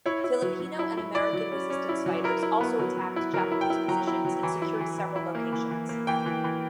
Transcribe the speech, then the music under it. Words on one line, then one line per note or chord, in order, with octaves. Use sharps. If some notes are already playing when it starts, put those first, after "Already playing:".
Filipino and American resistance fighters also attacked Japanese positions and secured several locations.
E4 C#5
E4
F#3
F#3
E4
E4
E4 D5
F#3
C#4
C#4
E4
F#3
E4 A#4
E4
B3
F#3
F#3
E4
F#3 A#4
E4
G5
E4
F#3 A#5
E4
F#3
E3
E4
E3
E3
E4
A#3
E3
E3
A#3
E3 G5
E3
E3